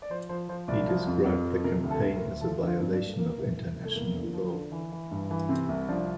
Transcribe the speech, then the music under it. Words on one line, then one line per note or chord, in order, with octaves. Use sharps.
He described the campaign as a violation of international law.
D5
F3 C5
F3 C5
F3 C5
C2 D5
F3
F2
F2
F3
C3 A#4
D2
A4
D2
A#4
D2
F3 A4
D3
F4
G2 C4
D4
G2
A3
E3 A#3
C2
C2
C2
A3
E2 A#3
D3
F3
D3
E3
E3
G2
E3
C3 C4
C2
F3 D4